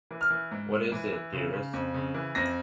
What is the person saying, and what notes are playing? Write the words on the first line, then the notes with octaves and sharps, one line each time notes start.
What is it, dearest?
E3
F6
E3
G#2
G#2
E3
E3
C#3
C#3
F2
C#3
E3
F2 A#6